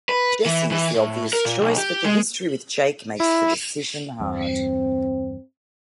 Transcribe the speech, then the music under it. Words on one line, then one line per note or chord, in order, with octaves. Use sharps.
Jesse is the obvious choice, but the history with Jake makes the decision hard.
B4
E3
E3
A2
A#4
A#2
B1
G4
G#3
E4
E2 G2 C4